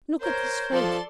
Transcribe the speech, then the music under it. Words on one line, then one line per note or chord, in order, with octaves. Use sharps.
Look at his face.
A#4 C5 C#5 G6
F3 A4 D5 C6